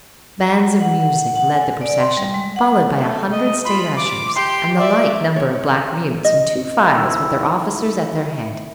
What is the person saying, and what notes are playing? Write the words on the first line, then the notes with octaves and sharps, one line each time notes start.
Bands of music led the procession, followed by a hundred state ushers, and the like number of black mutes, in two files, with their officers at their head.
F#5
F#5
G#5
D5
C6
G3
G#3
F#5
A3
D#5
F4 B5
D6
G4 C6
D5 E5
C#5
D#5
D#3 C4 E4